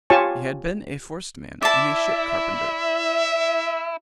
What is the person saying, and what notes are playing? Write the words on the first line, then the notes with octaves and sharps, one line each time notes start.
He had been a forced man, and a ship carpenter.
F4 G4 C#5 G#5 A5 C#6
E4 D5 E5 A5